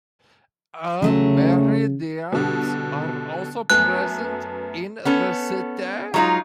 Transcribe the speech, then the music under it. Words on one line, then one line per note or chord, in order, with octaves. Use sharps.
Amerindians are also present in the city.
C#3 F#3 A3 C#4
B2 D3 G3
F#2 A3 B3 F#6
B3 C#4 A4
F#3 G#3 B3 D#4 F4